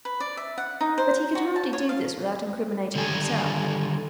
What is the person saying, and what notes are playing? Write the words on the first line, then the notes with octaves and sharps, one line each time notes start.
But he could hardly do this without incriminating himself.
B4
D5
E5
F#5
D#4
C5
F#4
A5
C#5
F5
D3 D#3 G3 A4 G#5